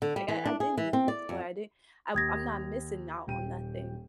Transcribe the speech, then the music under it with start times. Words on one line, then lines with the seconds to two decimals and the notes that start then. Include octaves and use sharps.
Like, I I didn't need to explore, I didn't I'm I'm not missing out on nothing,
0.02 D3
0.16 G3
0.28 E3
0.45 D4
0.60 G#4
0.78 E3
0.93 C4
1.08 D5
1.29 F2
2.15 D#2 D#6 G#6 A#6
3.27 D#1 G5 D#7